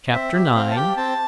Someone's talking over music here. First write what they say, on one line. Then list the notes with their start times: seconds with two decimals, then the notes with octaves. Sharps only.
Chapter IX.
0.13 C4 E5
0.35 G4
0.55 C4 F5
0.71 A5
0.76 G4 G5
0.97 C4 A5